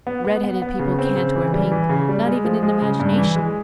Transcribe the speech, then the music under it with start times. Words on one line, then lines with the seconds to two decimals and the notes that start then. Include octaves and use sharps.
Redheaded people can't wear pink, not even in imagination.
0.07 B3
0.25 B3
0.43 B3
0.62 B3
0.79 C#3
0.99 C4
1.17 C#3
1.35 E3
1.53 G3
1.71 E3
1.89 C#3
2.09 G3
2.26 G#3
2.45 F3
2.63 G#3
2.82 C#3
3.00 G2
3.18 E3
3.36 G#3